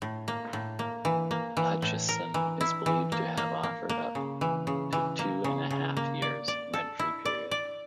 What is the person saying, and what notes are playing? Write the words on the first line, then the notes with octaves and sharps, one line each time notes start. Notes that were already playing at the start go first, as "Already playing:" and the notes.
Hutchison is believed to have offered up to two-and-a-half years rent-free period.
A2
A#3
A2
A#3
E3
A#3
E3
A2
A#4
E3
E4
E3
A#3
A#3
A#3
A#3
C#3
E3
C#3
E3
A#3
C#3
C#3
A#3
D5
D5
A4
E4
D5
D5